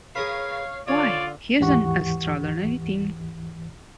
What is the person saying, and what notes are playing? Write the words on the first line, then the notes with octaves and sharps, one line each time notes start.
Why, here's an extraordinary thing!
G#4 A#4 B4 C#5 F5
D3 F4 C#5 D5
D#2 G#2 E3 G4 F#5 C#6